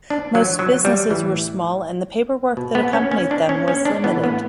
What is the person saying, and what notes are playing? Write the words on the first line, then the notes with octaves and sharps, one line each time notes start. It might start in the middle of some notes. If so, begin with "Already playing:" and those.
Most businesses were small, and the paperwork that accompanied them was limited.
D4
F#3
F#3
G3
A2 E3
B2
B3
C#4
C#4
D4
C#4
C#4
D4
A2 E3 B3
B3